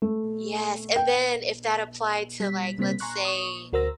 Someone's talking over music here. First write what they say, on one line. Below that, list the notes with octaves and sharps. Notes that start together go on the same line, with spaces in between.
yes, and then if that applied to like, let's say,
A3
G5
G3 B6
C3 G3 A#3 C4 C5 B6
G#5 A#5 C6 C#6 F#6
C#6 D#6
D2 F#4 A#4 C5 E6 A#6